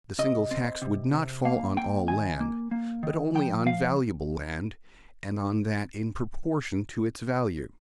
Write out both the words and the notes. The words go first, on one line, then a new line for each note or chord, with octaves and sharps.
The single tax would not fall on all land, but only on valuable land, and on that in proportion to its value.
C3 D#5
C4
C3
C3
A#3 F5
A#3 G5
D#3 G#5
A#3
A#3
D#3
F3 G5
F3 F5